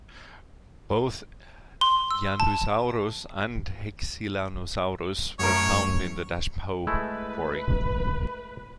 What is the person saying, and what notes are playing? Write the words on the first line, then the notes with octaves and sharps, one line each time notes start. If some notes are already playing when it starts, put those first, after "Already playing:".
Both "Yandusaurus" and "Hexinlusaurus" were also found in the Dashanpu Quarry.
C6
E6
A5
F#2 A3 A#4 C#5
G#3 A3 E4 B4